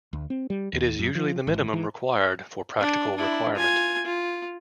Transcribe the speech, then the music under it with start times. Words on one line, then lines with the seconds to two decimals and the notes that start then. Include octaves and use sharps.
It is usually the minimum required for practical requirement.
0.13 D2
0.30 C4
0.50 G3
0.73 D#2
0.99 F#2
1.15 F3
1.47 G#1
1.73 E3
2.81 D4
3.16 D4 E4
3.55 F4 G#5
4.06 F4